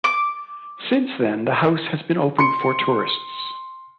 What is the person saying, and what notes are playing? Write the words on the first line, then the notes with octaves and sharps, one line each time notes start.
Since then, the house has been open for tourists.
D6
C6 C#7